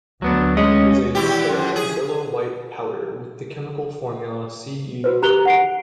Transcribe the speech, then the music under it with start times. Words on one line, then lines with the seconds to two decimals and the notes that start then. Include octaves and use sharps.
It is a pale yellow-white powder with the chemical formula CeO.
0.22 D2 F#3 B3 D4
0.57 G#3 C#4 D#5
1.15 E2 E4 G4
1.49 F#2
1.76 G#4
5.04 F#4 B4 C5
5.22 G4 A#5 F#6 F7 G7
5.46 F#5 C7 D7